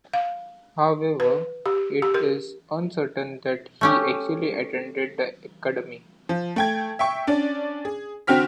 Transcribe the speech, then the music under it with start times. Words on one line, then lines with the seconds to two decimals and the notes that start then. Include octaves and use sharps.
However, it is uncertain that he actually attended the Academy.
0.14 F5
1.20 B4
1.66 G4
2.02 G4
2.14 A#4
3.81 A3 C#4 G4
6.29 F3
6.56 A3 G5 G#6
6.99 E5 G5 C#6
7.27 C#4 D4 D5
7.85 G#4
8.27 D3 C4 F#4 G5 F6 B6